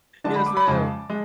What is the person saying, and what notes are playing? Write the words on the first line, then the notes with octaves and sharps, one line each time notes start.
Yes, ma'am.
D3 G#3 D4 A5
B5
D6
B5
F2 C#3 G#3 A5
G#3